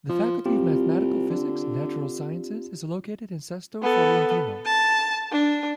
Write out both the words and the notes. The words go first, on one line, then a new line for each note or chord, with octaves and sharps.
The Faculty of Mathematical, Physical and Natural Sciences is located in Sesto Fiorentino.
F3
C2 C4 F4 G4
D3
B3 A4
A5
D4